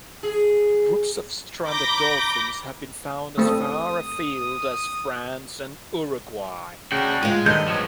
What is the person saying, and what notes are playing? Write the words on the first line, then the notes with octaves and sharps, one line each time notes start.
Groups of stranded dolphins have been found as far afield as France and Uruguay.
G#4
A#5 B5 D6 G6 A#6
A3 C4 A4 D#6
C#3 D4 F#4 G5
G#2 G#3 F4 D#7
G2 D#3 A4 D#5 G6
C#2 F3 F#4 C#5